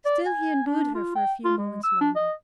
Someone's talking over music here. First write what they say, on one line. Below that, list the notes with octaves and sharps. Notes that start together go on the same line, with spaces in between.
Still he endured her for a few moments longer.
D5
G#5
D4
F4
G5
F4
G#3
E6
D4
D#5